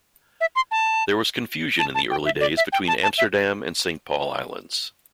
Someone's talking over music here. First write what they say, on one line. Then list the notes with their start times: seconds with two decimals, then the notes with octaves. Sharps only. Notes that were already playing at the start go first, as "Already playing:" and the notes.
There was confusion in the early days between Amsterdam and Saint Paul Islands.
0.41 E5
0.56 C6
0.71 A5
1.79 A5
1.95 A5
2.11 G5
2.25 E5
2.41 D5
2.57 E5
2.72 G5
2.88 A5
3.03 A5
3.18 E5